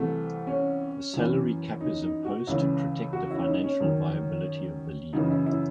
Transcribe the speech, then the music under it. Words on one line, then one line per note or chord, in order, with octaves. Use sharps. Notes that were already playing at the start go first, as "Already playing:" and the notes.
A salary cap is imposed to protect the financial viability of the league.
Already playing: C2 C3 E3 A3
C#4
F#2 E3
D#4
D#4
F#4
C#2 C#3 E3 E4
F#4
E4
C#4
D#4
C#4
F#2 D#3
F#2 C#3 E3 D#4
E4
E4